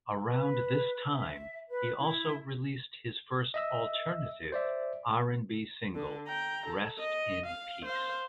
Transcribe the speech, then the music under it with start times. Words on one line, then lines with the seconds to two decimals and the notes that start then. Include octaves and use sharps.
Around this time he also released his first Alternative RnB single "Rest In Peace".
0.29 B4
1.13 E5
1.69 B4
1.99 E4
3.54 D#5 E5 E6
4.52 C5 D5 E5
5.95 D3
6.27 G5 A#5
6.66 A4
6.99 D#5
7.46 F5
7.85 C5 F5